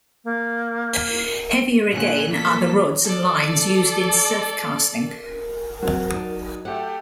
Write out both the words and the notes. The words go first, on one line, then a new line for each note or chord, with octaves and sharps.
Heavier again are the rods and lines used in surfcasting.
A#3
A#2 D3 C#4 F#6
A#3 A4 B6
A4 D5
F#3 C4
D#4 D5 A5
A3 G4 F#5